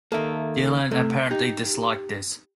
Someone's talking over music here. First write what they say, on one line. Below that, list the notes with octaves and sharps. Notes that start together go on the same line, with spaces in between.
Dylan apparently disliked this.
D#3 A#3 A4 E5
C3 A3
D#4 G4